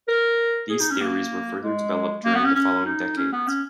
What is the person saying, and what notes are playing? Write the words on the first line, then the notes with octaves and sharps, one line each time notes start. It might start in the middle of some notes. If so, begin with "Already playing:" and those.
These theories were further developed during the following decades.
A#4
G#4
D#4
C#4
A#3
G#3
A#3
B3
C#4
C#4
D#4
C#4
B3
C#4